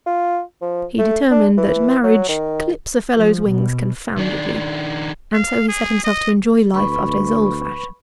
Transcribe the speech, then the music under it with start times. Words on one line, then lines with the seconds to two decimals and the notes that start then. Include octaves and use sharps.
He determined that marriage "clips a fellow's wings confoundedly," and so he set himself to enjoy life after his old fashion.
0.06 F4
0.62 F3
0.98 A3
1.31 D4
1.58 E3
2.03 F#3
2.28 D#3
3.16 F3
3.48 B2
4.18 D#3 D4
5.34 F5
5.68 G#4
6.04 D#5
6.74 D2 B4 B5 C#6